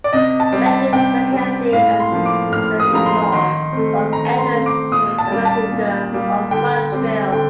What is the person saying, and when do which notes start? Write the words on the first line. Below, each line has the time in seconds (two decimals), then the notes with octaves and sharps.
Frederick Mackenzie and sister-in-law of Edward Ermatinger, of Montreal.
0.04 D5
0.13 C3 D#5
0.40 A5
0.52 G3 C4
0.66 A5
0.93 C3 G5
1.32 G3 C4
1.72 A2 F5
2.00 C6
2.12 F3 A#3
2.26 D6
2.52 A2 F6
2.80 D#6
2.93 F3 A#3 A#5
3.06 C6
3.32 D#3 C6
3.73 A3 C4
4.13 D#3 A#5
4.38 C6
4.52 A3 C4
4.66 D6
4.92 A#2 D#6
5.18 A5
5.31 G3 A#3
5.45 A5
5.72 A#2
6.13 G3 A#3
6.51 D3 G5
6.92 G3 C4
7.32 D3 G5